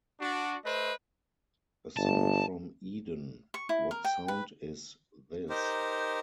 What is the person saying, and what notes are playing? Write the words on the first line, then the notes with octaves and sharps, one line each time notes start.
A song from Eden, What Sound is This?
D4 F#4
A3 B4 C5 D#5
G1 A5
C#6
E4
A#4
G5
B4
D#4 G4 A#4 C5